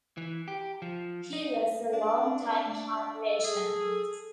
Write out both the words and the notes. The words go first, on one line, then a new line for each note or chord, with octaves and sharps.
He was a long time heart patient.
E3
G4
F3
D#4
D4
A4
G#4